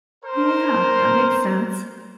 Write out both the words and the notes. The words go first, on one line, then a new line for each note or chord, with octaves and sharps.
Yeah. That makes sense.
A#4 C5